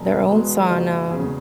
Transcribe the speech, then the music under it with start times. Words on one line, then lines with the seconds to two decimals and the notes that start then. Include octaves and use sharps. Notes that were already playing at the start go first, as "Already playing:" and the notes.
Their own sauna.
Already playing: E1
0.29 E2 B2 G#3
0.58 G#4
0.70 F#1 F#4
1.10 E2 C#3 G#4